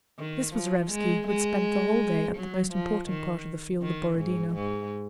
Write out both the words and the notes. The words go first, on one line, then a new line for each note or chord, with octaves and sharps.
This was Raevski, who had spent the whole day at the most important part of the field of Borodino.
D#3
F3
G#3
G#3
F#3
F3
D#3
D#3
G#2
G#2